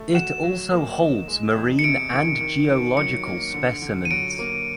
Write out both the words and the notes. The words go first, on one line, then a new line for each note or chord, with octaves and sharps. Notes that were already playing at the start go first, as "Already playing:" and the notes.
It also holds marine and geological specimens.
Already playing: A3
F#4 E7
F#3
A#3
D#4
G#3
E2
C#7
C3 D7
D#3
D#3
D#3
F#3 C#7
A#3
D3
D3
D#7
F#3 D7
A#3